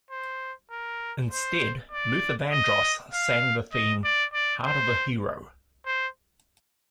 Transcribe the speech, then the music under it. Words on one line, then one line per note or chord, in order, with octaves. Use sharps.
Instead, Luther Vandross sang the theme, "Heart of a Hero".
C5
A#4
C5
D5
D#5
F5
D#5
D5
D5
C5
C5